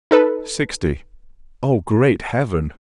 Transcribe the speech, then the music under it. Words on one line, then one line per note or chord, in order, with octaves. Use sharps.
Sixty--oh, great heaven!
D#4 A4 B4